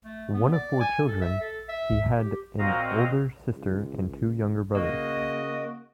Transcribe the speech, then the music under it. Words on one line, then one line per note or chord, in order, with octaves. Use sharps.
One of four children, he had an older sister and two younger brothers.
A3
B3
D5
G#5
A4
E5
A4
E5
G4
A#2 C4 F#4 D#5 F5 A#5
C#2
C#3 A#3 F#4 D#5